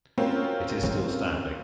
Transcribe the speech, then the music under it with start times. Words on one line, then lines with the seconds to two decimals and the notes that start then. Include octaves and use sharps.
It is still standing.
0.18 C4 C#4 F4 F#4 A#4